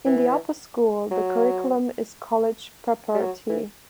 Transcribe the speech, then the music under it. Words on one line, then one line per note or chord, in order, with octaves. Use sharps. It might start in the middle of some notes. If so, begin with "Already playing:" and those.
In the Upper School, the curriculum is college preparatory.
E3
F#3
G3
F#3
E3